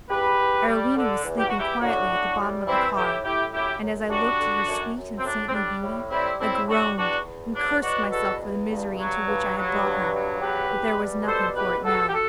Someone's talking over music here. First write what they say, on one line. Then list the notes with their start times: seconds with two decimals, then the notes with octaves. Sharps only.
Arowhena was sleeping quietly at the bottom of the car, and as I looked at her sweet and saintly beauty, I groaned, and cursed myself for the misery into which I had brought her; but there was nothing for it now.
0.09 E2 G4 B4
0.39 E2
0.67 G3
0.96 D3
1.24 E2
1.38 G4
1.48 E2 F#4
1.58 E4 G4
1.81 A2 D4 F#4
2.09 A2
2.39 G3
2.67 E3 C4 E4
2.97 A2 E4 G4
3.24 A2 E4 G4
3.53 F#2 E4 G4
3.83 F#2
4.10 G3 D4 F#4
4.40 D3
4.68 F#2
4.97 F#2
5.18 C4
5.25 A2 D4
5.47 C4
5.53 G3 D4
5.83 A2
6.11 G3 C4 E4
6.40 A2 C4 E4
6.68 G3 D4 F#4
6.97 E2 D4 F#4
7.26 E2
7.54 F#3 D4
7.83 B2 D4 F#4
8.12 E2 F#4 A4
8.40 E2
8.70 G2
8.97 F#3
9.27 G2
9.56 F#3
9.83 G2
10.13 F#3
10.41 E2 G4 B4
10.70 E2
10.99 G3
11.22 B4
11.26 B2 A4 C5
11.56 E2 G4 B4
11.84 E2 F#4 A4
12.08 G4
12.13 F#4 A4